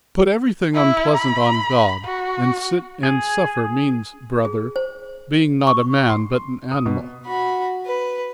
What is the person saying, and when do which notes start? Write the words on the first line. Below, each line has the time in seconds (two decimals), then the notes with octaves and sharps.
To put everything unpleasant on God, and sit and suffer, means, brother, being not a man but an animal.
0.75 E4
1.16 B5
2.05 F#4
3.03 G#4
4.45 G#4
4.76 C5
5.67 C#6
6.10 C6
6.72 D#6
6.86 B2
7.26 F#4 B5
7.86 B4